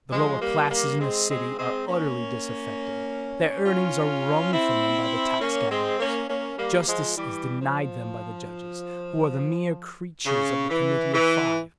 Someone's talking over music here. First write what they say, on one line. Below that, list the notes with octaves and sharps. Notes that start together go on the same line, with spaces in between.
The lower classes in the city are utterly disaffected; their earnings are wrung from them by the tax gatherers. Justice is denied them by the judges, who are the mere creatures of the committee of five.
F3 G#3
G3 A#3
G3 A#3
G#3 C4
G#3 C4
G#3 C4
A#3 C#4
C#4 F4
C4 E4
A#3 C#4
G#3 C4
A#3 C#4
A#3 C#4
G3 A#3
F3 G#3
E3 G3
F3
C#3
E3
E3